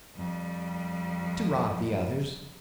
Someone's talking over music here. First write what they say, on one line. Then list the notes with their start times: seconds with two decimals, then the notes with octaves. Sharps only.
"To rob the others."
0.16 F2 G3